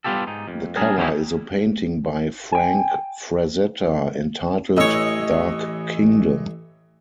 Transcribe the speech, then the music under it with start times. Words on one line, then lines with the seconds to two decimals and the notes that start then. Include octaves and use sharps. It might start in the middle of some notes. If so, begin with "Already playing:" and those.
The cover is a painting by Frank Frazetta entitled Dark Kingdom.
0.04 G3 B3 F4 G4 A4
0.27 G#2 D#4
0.48 F2
0.77 G3 C#4 D4 G#4 A#4
0.97 D#3 F#3 G3 C#4 D#4 E4
2.52 G5 G#5
4.77 A1 E3 C#5 D#5 E6